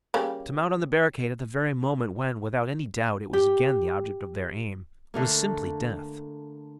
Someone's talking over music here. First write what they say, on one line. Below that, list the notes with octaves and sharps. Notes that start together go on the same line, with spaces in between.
To mount on the barricade at the very moment when, without any doubt, it was again the object of their aim, was simply death.
C#3 G3 A#3
G4
D3 A3 A#3